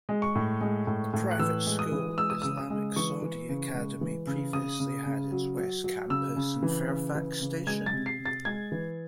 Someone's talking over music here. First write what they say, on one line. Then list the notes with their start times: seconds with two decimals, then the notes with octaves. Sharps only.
The private school Islamic Saudi Academy previously had its West Campus in Fairfax Station.
0.09 G#3
0.22 C#6
0.35 A2
0.61 G#3
0.87 A2
1.13 A2
1.31 F#6
1.39 E3 E6
1.66 G#3
1.79 D#6
1.92 E3
2.18 G#3 E6
2.30 D#6
2.42 C#3 E6
2.57 D#6
2.70 G#3
2.96 E3 C#6
3.22 E3
3.49 C#3
3.75 G#3
4.01 E3
4.27 C#3
4.53 C#3 D#6
4.80 C#3
5.06 C#3
5.32 F#3
5.58 F#3
5.84 F#3
6.10 C#3 E6
6.36 C#3
6.63 E3
6.88 C#3
7.15 E3
7.41 C#3
7.67 G#3 G#6
7.86 A6
7.93 C3
8.06 C7
8.19 C3
8.26 A6
8.45 G#3 G#6
8.72 E3